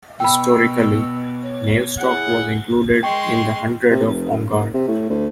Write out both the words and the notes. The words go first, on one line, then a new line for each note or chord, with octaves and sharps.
Historically Navestock was included in the hundred of Ongar.
B2 G5 B5 E6
C#5
E4 G#4 F#5
G#3 G5 C6 C#6
C3
F1
F#2
F#1
C3
A2
D2